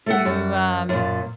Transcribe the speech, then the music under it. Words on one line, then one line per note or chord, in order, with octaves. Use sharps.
"You" um,
A3 A4 F#5
F#2
F#2 A#2